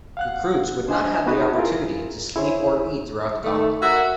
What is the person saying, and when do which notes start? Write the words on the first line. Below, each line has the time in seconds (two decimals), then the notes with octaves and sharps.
Recruits would not have the opportunity to sleep or eat throughout the Gauntlet.
0.17 F5 F#5 F#6
0.87 D4 C5 D#5 G#5
1.26 B3 D#4 F#4 B4 F#5
1.55 E4 F4 G#4 A#4
2.36 E4 G#4 C5 C#5 E5
3.44 D#3 A3
3.81 F#4 A#4 E5 F#5